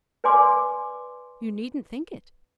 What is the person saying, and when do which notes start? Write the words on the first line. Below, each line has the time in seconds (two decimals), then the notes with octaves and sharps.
You needn't think it.
0.24 B4 D5 G#5 C6 D6